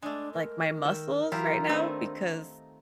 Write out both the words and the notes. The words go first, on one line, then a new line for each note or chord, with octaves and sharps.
like, my muscles right now because
G#3 A3 D4
A#4
D#3 E6
E3 F#3 E4 F4 G4 A#5
D#3 A3 C4 D4 B4